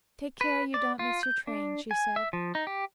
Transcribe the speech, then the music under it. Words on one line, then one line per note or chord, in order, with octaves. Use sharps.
"Take care you don't miss your train," she said.
B4
D5
F4
G6
D4
G#5
E5
F3
D#4
G4